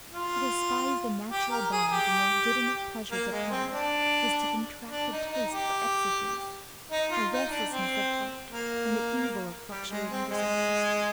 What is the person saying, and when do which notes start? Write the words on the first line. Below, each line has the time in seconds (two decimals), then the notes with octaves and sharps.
To despise the natural bonds and legitimate pleasures of home, is to contract a taste for excesses, a restlessness of heart, and the evil of fluctuating desires.
0.12 F4
1.31 G4
1.51 A#4
1.72 G#4
1.91 G4
3.11 A#3
3.32 G#3
3.51 C4
3.71 D4
4.91 D4
5.11 D#4
5.31 D#4
5.51 G4
6.91 D#4
7.11 F4
7.31 D#4
7.50 D4
7.70 C4
8.51 A#3
9.70 G3
9.90 G#3
10.10 C4
10.30 G#3